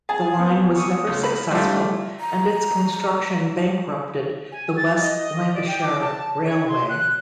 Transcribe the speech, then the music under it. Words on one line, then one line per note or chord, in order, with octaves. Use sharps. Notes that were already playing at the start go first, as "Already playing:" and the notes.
The line was never successful and its construction bankrupted the West Lancashire Railway.
G#4 A5
B3 C4
C#6 D#6 E6
C#2
B5
F2 G3 A3 D4 F4
A#5
G#5
A6
D#5
D5
G5
D6
A5
C#5
C6
F#6